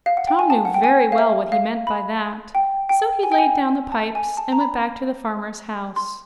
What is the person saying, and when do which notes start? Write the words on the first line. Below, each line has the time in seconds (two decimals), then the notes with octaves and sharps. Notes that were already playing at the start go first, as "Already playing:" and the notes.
Tom knew very well what he meant by that, so he laid down the pipes, and went back to the farmer's house.
0.06 F5
0.17 F#5
0.28 G5
0.39 G#5
0.50 A5
0.65 F#5
0.74 G5
0.84 G#5
1.12 F5
1.18 E5
1.52 F5
1.87 B5
2.55 G5
2.89 G5
3.23 G#5
3.32 G5
3.38 G#5
3.92 A5
4.15 G#5
4.37 A5
4.52 A#5
4.61 B5
5.96 C6